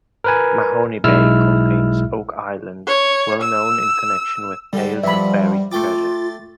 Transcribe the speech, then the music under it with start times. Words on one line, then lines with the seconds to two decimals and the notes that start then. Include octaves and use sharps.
Mahone Bay contains Oak Island, well known in connection with tales of buried treasure.
0.24 A#4 B4 G#5
1.04 B1 G#3 E4 E6 F6
2.87 C#5
3.41 E6
4.73 D3 G3 G4
5.04 G2 F3 E5 F#5 B5
5.72 A3 F4 G5 D6 A6